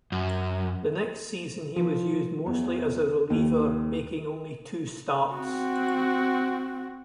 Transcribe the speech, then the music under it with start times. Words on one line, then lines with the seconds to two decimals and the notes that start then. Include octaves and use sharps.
The next season, he was used mostly as a reliever, making only two starts.
0.12 F#2
1.76 F3
2.46 E2
3.30 D#2
5.34 C4 F#4